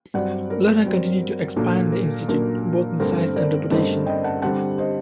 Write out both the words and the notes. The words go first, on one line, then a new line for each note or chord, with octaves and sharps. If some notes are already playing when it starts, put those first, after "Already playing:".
Lerner continued to expand the institute, both in size and reputation.
G2 F#3 C4 D5 F#5
A#4
G2 F#3 C4
A#2 F#3 A#3 D4 A4
A#4
A#2 F#3 A#3 D4 A#4
G2 D3 A3 C4 A#4
A#4 D5
G2 D3 A3 C4 C5 D#5
D#5 G5
F#5 A5
D3 G3 C4 F#5 A5
C5 D#5